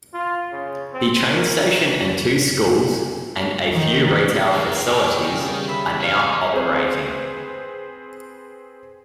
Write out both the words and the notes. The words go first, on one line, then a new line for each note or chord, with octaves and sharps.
The train station and two schools, and a few retail facilities, are now operating.
F4
C#3
C4
A#4
D#3
F2 G#3 A#4 F5 F#5
D#3 G4 G#4 C#6
C#3 G3
E5 B5
C#4 F5
C4 G#4 B4 C5